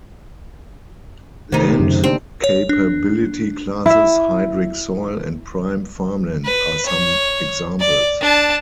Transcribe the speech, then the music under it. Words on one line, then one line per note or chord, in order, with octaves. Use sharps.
Land Capability Classes, hydric soil, and prime farmland are some examples.
C3 D#3 A3 D#4
F#2 C#3
A#3 C4 D4 D#4
C#5
D4
E4 E5
B4
C#5
D5
D4 A5